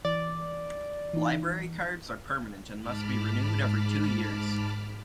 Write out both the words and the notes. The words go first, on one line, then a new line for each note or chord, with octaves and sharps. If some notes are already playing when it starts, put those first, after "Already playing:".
Library cards are permanent and must be renewed every two years.
E3 D5
E3 D#4
G#2 A5 B5 D6 F6